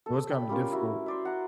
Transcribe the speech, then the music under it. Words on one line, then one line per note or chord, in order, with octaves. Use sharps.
so it's, kinda, difficult,
A4
G5 B5
G3 C#4 F4 A#4
E4 F#4
C5 D5 E5
F#5 A#5 C6